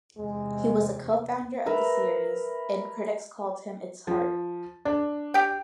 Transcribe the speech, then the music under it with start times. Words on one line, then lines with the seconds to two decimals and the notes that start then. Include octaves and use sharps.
He was a co-founder of the series, and critics called him its heart.
0.18 E2 C3 G#3
1.66 A#4 B4 E5
4.07 F3
4.85 D4
5.34 G4 G5